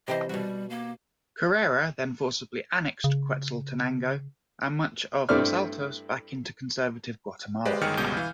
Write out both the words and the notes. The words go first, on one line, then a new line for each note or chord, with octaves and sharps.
Carrera, then forcibly annexed Quetzaltenango and much of Los Altos back into conservative Guatemala.
C3 E3 C5 D#5
B2 G3 F#4
A#3
C#3
G2 A3 C4 E4 D5 F6
G#3 G4 B4 C5 D5
G1 D#3 G#3 G5 F6 C#7
G1 C#2 B2 G3 G#3 G6
E3 F5